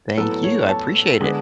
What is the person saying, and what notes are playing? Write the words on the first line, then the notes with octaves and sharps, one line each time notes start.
Thank you, I appreciate it.
A2 F#3 B3 A4
C#5
A5
D3 G#3 B3